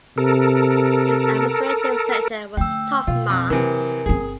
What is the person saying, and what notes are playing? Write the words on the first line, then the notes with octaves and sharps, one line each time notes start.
Its administrative centre was Totma.
C3 A4 A#4
D3 A3 G5 E6
B2 F4
F2 D#6
C3 E3 F#3 A#4 G#5
G1 C4 G#4